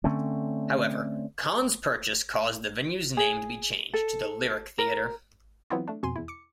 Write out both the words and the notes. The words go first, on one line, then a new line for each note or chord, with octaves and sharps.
However Kahn's purchase caused the venue's name to be changed to the Lyric Theatre.
D3 A3 C4 C#4
G#4
A4
A#4
E3 F#3 B3 C4 E4 F4
A3 D4
F2 B2 G#5 C6 D#7
E2 E4
D6 C#7